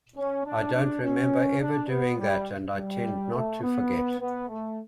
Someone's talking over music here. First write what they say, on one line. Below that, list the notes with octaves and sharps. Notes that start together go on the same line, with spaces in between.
I don't remember ever doing that and I tend not to forget.
C#4
D4
D4
C#4
D4
B3
G3
G3
A3
B3
B3
A3